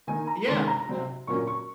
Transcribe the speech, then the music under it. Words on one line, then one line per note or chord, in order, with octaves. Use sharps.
yeah! Yeah, yeah.
D#3 A#3 D#4 G#5
A#5
C3 D#3 G#3 C#4 C6
A#5
C3 F#3 C4
A#2 F#3 A#3 C#4 C#6
C#6